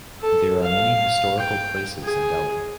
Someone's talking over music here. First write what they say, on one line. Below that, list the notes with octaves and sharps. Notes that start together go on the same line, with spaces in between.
There are many historical places in Delhi.
A4
F5
G5
G#4